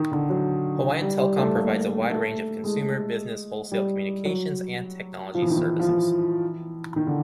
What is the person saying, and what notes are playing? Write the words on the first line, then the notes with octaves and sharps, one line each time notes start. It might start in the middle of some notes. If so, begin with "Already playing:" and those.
Hawaiian Telcom provides a wide range of consumer, business, wholesale communications and technology services.
Already playing: D#3
D3
F#3
G3
G3
A3
A#3
A3
G#3
G3
F#3
F3
E3
D#3
E3
F3
E3
D#3
D3